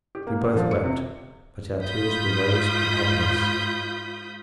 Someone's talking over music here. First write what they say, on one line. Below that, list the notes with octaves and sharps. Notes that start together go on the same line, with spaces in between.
We both wept, but our tears were those of happiness.
G4
A#3
B3
F3
C#7
C3
G#2 F4 B5 D#6 G6 B6